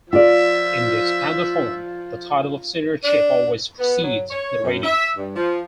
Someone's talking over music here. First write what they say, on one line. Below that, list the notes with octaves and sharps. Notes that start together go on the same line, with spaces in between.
In the expanded form, the title of senior chief always precedes the rating.
F3 F4 D5 E5
D4
B3
F#3
C#5
F#2
E5
G2
F3